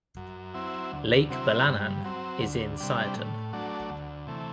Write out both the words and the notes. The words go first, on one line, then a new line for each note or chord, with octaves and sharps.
Lake Balanan is in Siaton.
F#2
F#3 C4 E4
D2
C3 F#3 C4 E4
G2
F#3 C4
D2
C3 G3 D4
A2
F#3 A3 D4
D2
C3 E3 A3